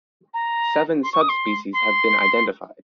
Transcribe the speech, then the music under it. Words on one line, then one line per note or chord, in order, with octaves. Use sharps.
Seven subspecies have been identified.
A#5
C6
C#6
D#6
C6
C6